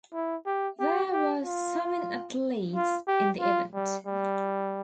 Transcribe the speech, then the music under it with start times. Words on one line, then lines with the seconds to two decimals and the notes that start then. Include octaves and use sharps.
There were seven athletes in the event.
0.13 E4
0.46 G4
0.79 G4
1.11 G4
1.44 F4
2.75 F4
3.07 G4
3.40 F4
3.74 G3
4.06 G3